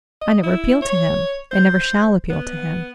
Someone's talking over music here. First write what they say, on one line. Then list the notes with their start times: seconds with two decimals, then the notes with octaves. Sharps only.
I never appeal to him, and never shall appeal to him.
0.22 D#5
0.43 E4
0.82 C#5
1.51 C5
2.30 B3